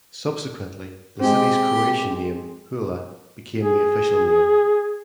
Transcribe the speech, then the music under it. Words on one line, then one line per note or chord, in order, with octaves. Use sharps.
Subsequently, the city's Croatian name, Pula, became the official name.
G#3 C4 G4
G#4